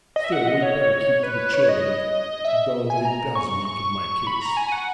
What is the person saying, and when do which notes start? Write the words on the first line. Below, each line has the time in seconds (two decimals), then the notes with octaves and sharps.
Still we'd better keep to the children, though it does weaken my case.
0.16 D#5
0.24 E5
0.32 F#5
0.48 D#5
0.62 C#5
1.23 B4
1.53 C#5
1.69 D#5
2.45 E5
2.90 G#5
3.05 A#5
3.35 C#6
3.51 C#6
3.65 C#6
4.27 B5
4.42 A#5
4.57 G#5
4.72 F#5